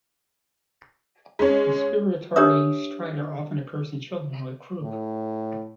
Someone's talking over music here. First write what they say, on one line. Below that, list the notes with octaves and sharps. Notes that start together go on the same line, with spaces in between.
Inspiratory stridor often occurs in children with croup.
G#3 C#4
D4 G4 A#4 C#5 E5 D#6
A2